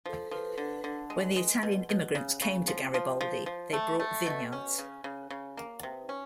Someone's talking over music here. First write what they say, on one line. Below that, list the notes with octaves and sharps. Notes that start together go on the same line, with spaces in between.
When the Italian immigrants came to Garibaldi they brought vineyards.
F3
F3
D3
D3
G#3
G#3
B2
B2
C#3
C#3
F3
F3
F3
F3
A3
A3
B2
C#4
C#3
C#3
C#3
A#3
C3
C#4